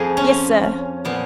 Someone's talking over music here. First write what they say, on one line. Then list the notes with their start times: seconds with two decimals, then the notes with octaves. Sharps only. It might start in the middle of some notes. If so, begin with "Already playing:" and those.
"Yes, sir."
Already playing: F2 F3 G#4
0.17 C#4
1.05 A#2 F3 B3